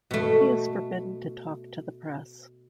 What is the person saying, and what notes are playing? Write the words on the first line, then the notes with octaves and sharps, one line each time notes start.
He is forbidden to talk to the press.
B2 A3